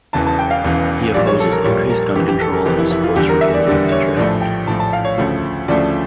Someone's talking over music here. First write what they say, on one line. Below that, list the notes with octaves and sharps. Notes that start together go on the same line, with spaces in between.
He opposes increased gun control and supports repealing the Patriot Act.
E1 E2 C#3 E3 A5
A5
G5
F5
E1 E2 C#3 E3
A#1 A#2 G3 D5
C#5
A4
A#4
A#1 A#2 G3 C#5
A#4
F1 F2 E3 G4
G4
A4
A#4
F1 F2 E3 G4
E4
E4
F4
E2 D3 G3 G4
A#4
E5
D5
E2 D3 G3 D5
C#5
A#1 A2 F3 A3 D5
G5
A#1 A2 F3 A3 A5
A5
F5
C#5
D2 C#3 F3 A3
D2 C#3 F3 A3 D5